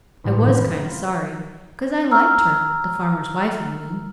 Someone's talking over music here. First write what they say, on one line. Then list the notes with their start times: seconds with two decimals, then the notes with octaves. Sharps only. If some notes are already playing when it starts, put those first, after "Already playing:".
I was kind of sorry, 'cause I liked her--the farmer's wife, I mean.
0.24 A1 A2 C5 F#5 D6
0.41 F#1 F#2 D#3 E3 G#6 B6
0.56 E5 F#5 B5 F6 F#6
0.68 A#5 G6
0.88 F4
2.11 A#5 E6 F6